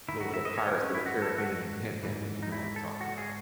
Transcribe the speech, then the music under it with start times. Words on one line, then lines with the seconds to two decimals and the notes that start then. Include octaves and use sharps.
Little bit of Pirates of the Caribbean, hint hint, if you know what I'm talking about.
0.08 G#2 D#3 E4
0.21 F#4
0.34 E5
0.45 D#5
0.57 C#5
0.70 E4
0.82 C#4
0.95 E4
1.06 F#4
1.22 A4
1.38 F#4
2.03 G#2 E3
2.43 D#4
2.52 E4
2.76 A4
3.01 F#4
3.18 G#4